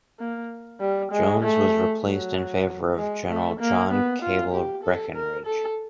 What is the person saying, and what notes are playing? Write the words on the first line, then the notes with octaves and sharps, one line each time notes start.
Jones was replaced in favor of General John Cabell Breckinridge.
A#3
G3
G#3
A3
F#3
G#3
A3
A#3
B3
F4
G4
A4
A#4
A4